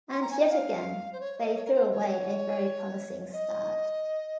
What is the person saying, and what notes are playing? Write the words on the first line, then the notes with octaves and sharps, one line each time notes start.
And yet again, they threw away a very promising start.
C6
A#5
G#5
G5
F5
C5
C#5
D#5
C#5
A#4
C5
C#5
D#5